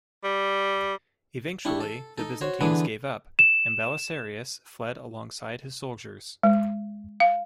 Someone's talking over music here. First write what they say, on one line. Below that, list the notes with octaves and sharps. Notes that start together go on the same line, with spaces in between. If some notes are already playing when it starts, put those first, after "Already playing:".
Eventually, the Byzantines gave up, and Belisarius fled alongside his soldiers.
G3
D4 E4 G4 C#6
A4
D#4 A4
F#4 C5 C#5
D3 E3 B3 D4 G#4 B4
E7
G#3
F5